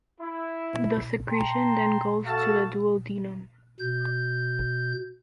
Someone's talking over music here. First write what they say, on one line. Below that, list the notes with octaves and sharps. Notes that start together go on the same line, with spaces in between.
This secretion then goes to the duodenum.
E4
G5 A5 A#5 C6
A3 F#4 A4 F5 A5
B2 G6